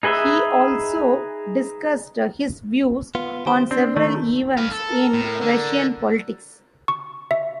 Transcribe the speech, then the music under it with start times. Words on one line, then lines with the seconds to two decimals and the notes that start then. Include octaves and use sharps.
He also discussed his views on several events in Russian politics.
0.03 D#4 G#4 B4 D#5 E5
3.15 B3 F4
3.46 D#3 G4 C5
3.71 C4 D4
3.97 D#3 A3
4.57 B4 F5
4.71 A4
4.88 A#4
5.13 A2
5.42 D3
6.88 C#6
7.31 E5